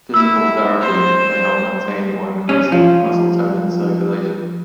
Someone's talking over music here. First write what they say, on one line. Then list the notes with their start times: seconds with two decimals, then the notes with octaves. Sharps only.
Physical therapy may help maintain or increase muscle tone and circulation.
0.14 E4 E6
0.81 C5
2.49 C#4
2.72 F3